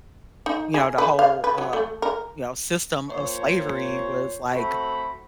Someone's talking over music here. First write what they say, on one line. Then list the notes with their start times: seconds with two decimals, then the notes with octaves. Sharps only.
you know, the whole, um, you know, system of slavery was, like,
0.46 D#4
0.74 G#4
0.98 B4
1.19 F5
1.44 B4
1.58 F#3
1.73 A3
2.02 A#4
3.09 A#2 C5 C#5
4.53 A3 C4 F#4 B5